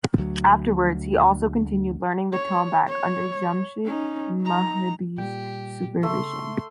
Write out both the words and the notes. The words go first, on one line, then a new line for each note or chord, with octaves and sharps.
Afterwards, he also continued learning the tombak under Jamshid Mohebbi's supervision.
D2 F#3
C#5
C#5
C#4 D#4
D#4 A#5
A#2 G3 G4 G5
C#3 A3 E5 C6